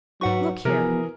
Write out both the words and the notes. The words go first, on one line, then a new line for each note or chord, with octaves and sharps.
"Look here!"
G#2 F#3 D#4 F#4 B4 F#5 C#6
C3 E3 F3 B3 F#4 G#4 A#4